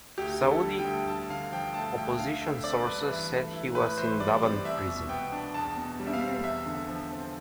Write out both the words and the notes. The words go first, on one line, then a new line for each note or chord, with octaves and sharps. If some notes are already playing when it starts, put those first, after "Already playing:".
Saudi opposition sources said he was in Dhaban Prison.
D2 G4
D3
A4
G3
G5
D2
G2 A5
D3 F5
F3 G5
A3 A5
D2 G5
D3 F5
A3 E5
C4 D5
G2 B4
E3
A3
E4
A2 B4
E3 C5
G3 D5
C4 D5
C2 E5
B2
B3 G5
D4
E2 A5
B2
G3
E5
F5
C4
E2 E5
D3
F3
C4